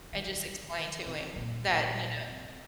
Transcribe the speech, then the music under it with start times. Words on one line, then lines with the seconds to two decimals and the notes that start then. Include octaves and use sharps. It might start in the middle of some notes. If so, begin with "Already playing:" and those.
and just explain to him that, you know
0.12 D#3
0.28 D#3
1.06 C3
1.36 A#2
1.67 A#2
2.28 C3